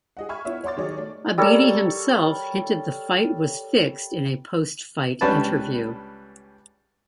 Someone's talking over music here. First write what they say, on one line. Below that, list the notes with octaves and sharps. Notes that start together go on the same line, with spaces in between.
Abidi himself hinted the fight was fixed in a post fight interview.
G#4 D#5 F#5
E5 G#5 B5 C#6 F6 G#6
B3 E4 F4 C#5 E5 F#5
C#5 F#5 C6 D6 A6
D#3 F#3 G4 G#4 C#5 D#5
A3 D5
G3 A4 A#4 C#5
C#2 G3 C#4 D4 B4 A5